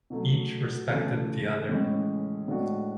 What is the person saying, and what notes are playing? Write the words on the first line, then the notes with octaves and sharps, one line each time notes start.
Each respected the other.
B2 F#3 A3
C#3 E3 A3
A2 E3 G#3 C#4 G#4
A2 G#3 D4 F#4